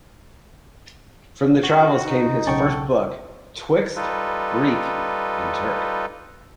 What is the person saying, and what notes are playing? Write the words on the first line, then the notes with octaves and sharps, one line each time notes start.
From the travels came his first book, "Twixt Greek and Turk".
F#4
D#4
B1 C#3 C#4 A4 F#5 G5 C#6
G3 D#4 F4 A4 B4